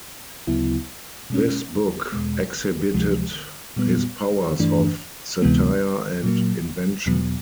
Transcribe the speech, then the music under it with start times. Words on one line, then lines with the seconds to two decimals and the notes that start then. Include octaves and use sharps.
This book exhibited his powers of satire and invention.
0.47 D2 C#3 F#3 B3 E4
1.30 B2 G#3 C#4
2.12 E2 B2 G#3
2.94 D2 C3 F3 G#3
3.77 A#2 G3 B3
4.59 G2 E3 A3 D4
5.42 D2 C3 E3 G#3 B3
6.23 A#2 F#3 A#3
7.06 E2 B2 F#3 B3